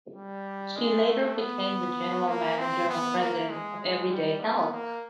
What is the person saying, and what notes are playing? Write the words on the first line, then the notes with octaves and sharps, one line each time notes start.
She later became the general manager and president of Everyday Health.
G3
G#3
A3
B3
A#3
C4
B3
A#3
G#3
G#3
G3
B3
A#3